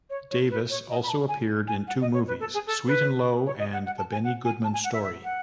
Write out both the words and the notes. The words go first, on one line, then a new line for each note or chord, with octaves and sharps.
Davis also appeared in two movies, "Sweet and Low" and "The Benny Goodman Story".
C#5
C#5
B4
C#5
D#5
B5
A5
G#5
G#5
F#5
D#5
C#5
B4
A4
G#4
A4
B4
C#5
D#5
F#5
F#5
A5
G#5
F#5
G#5
A5
G#5
F#5
E5
E5
F#5